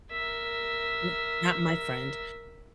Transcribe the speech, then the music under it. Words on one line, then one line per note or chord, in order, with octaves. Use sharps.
M not my friend.
A#4 E5